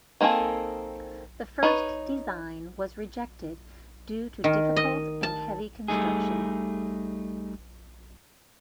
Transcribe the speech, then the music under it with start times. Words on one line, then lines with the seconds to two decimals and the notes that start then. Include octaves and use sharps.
The first design was rejected due to difficult and heavy construction.
0.21 D#3 A#3 C4 G#4 A4
1.63 D#4 B4 C#5
4.44 D#3
4.76 D#5
5.23 A5
5.88 G3 A3 D#4 G#4